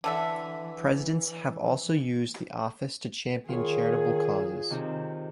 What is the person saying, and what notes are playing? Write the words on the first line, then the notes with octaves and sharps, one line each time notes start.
Presidents have also used the office to champion charitable causes.
D3 E3 A4 E5
D#3 F4 G#4 C#5
C3 D#3